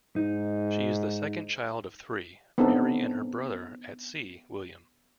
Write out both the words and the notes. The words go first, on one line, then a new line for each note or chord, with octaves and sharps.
She is the second child of three, Mary and her brother at sea, William.
G#2 D#4
B3 C4 D4 D#4 A4